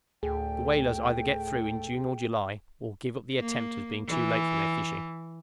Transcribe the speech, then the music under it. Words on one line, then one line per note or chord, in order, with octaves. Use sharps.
The whalers either get through in June or July, or give up the attempt as being too late for their fishing.
D2 A2 A3 G#4 G5
A#3
E3